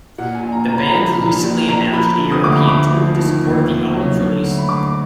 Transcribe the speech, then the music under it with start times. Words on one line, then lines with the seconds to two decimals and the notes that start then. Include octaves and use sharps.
The band recently announced a European tour to support the album's release.
0.18 A#2 F#5
0.35 G#5
0.43 A#1
0.52 A#5
0.69 A#1 A#5
0.78 B5
0.86 A#5
0.94 F3 B5
1.05 A#5
1.13 B5
1.18 A#2 A#5
1.43 A#1
1.68 A#1 A#5
1.93 F3 B5
2.18 D3
2.31 D#6
2.44 D2 D6
2.56 B5
2.68 D2 D6
2.94 F3
3.19 D#3
3.44 D#2
3.69 D#2
3.93 F#3
4.19 D3
4.43 D2
4.59 B5
4.68 D2 D6